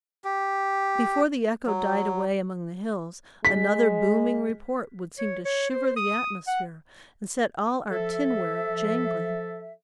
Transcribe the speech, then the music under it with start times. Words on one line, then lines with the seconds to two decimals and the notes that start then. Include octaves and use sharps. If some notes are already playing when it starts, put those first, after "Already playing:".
Before the echo died away among the hills another booming report would seem to shiver the atmosphere and set all our tinware jangling.
0.24 G4
1.66 F#3
3.45 G#3 B6
5.18 C#5
5.45 C#5
5.70 C5
5.96 D#6
6.47 F#5
7.90 F3 A4 E5